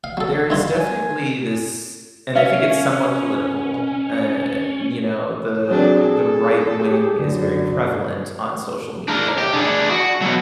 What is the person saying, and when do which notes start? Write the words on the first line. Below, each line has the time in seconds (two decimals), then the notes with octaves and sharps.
there is definitely this and I think it's somewhat political, and, you know, the the right wing is very prevalent on social media,
0.04 F5
0.17 F#3 A4
0.50 G2 E4 F4
0.79 G#5
2.35 C#4 E5 F5
5.68 F#3 C4 D4 G#4
6.05 A4
6.80 G4 G#4
7.19 F#2 D3
9.08 D4 A#4
9.38 G4
9.53 D4 G#4
9.90 F#4
10.22 B2 F#3